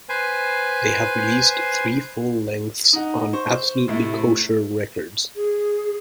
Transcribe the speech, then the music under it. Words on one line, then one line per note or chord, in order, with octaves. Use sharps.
They have released three full lengths on Absolutely Kosher Records.
B4 C5 G#5
D#4 F#5
C5 C#6
A2 C3 A3
G#4